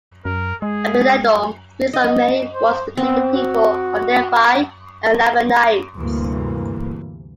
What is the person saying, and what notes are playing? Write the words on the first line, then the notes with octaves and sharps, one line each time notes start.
Abinadom speaks of many wars between the people of Nephi and the Lamanites.
F#2 A#4
G#3 G#4
D#5
C5
B3 C4
F#4
D2 G2 C3 E3 A#3